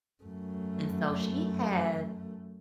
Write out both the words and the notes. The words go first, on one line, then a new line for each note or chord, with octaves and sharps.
and so she had
F#2 A3